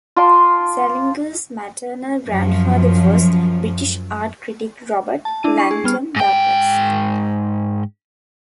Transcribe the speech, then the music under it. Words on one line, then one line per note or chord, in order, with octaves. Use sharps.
Salinger's maternal grandfather was British art critic Robert Langton Douglas.
F4 A5 C6 D6
F#2 F3
A5
D4 E4 A5 D#7
C#6 C7
G#4
G3 B3 F6
G#2 G5